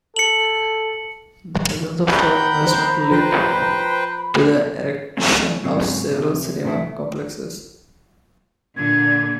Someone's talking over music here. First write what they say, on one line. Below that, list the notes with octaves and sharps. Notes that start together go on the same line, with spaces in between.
The presence of foreign investments led to the erection of several cinema complexes.
A4 C#7 F#7
F#5 G5 A#5 B5 G6
C5
F3 B4 C5 G5
D3 F3 F#3 A3 C4 C#4
G#2 C#3 F#3 C4
C3
C3 E3 A3 E4
A#2 D3 G#6